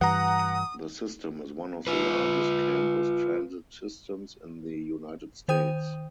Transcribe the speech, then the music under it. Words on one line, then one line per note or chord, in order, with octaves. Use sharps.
The system is one of the largest campus transit systems in the United States.
G2 E3 F#5 A#5 D#6
F4 B4
D#3 C5 G5 D#6 G6 D#7